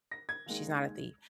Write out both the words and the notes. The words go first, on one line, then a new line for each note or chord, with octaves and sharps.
she's not a thief.
A#6
G#6
D#2 D#3 G#3